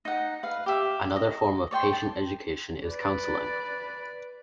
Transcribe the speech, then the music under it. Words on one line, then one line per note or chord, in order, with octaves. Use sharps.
Another form of patient education is counseling.
D#4 F#5
B4 F5
G4 E5
D#5
C#5 D5 G5 C6
A5
B4 D5